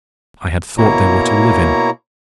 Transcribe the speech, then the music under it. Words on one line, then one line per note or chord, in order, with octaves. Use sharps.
I had thought they were to live in.
B2 A#3 E4 C#5 A#5